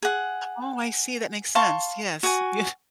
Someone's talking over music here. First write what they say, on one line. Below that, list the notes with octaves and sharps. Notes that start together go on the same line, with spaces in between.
Oh, I see, that makes sense. Yes. Yeah.
G#4 F#5
F5 A5 C6 C#6
F#4 G#5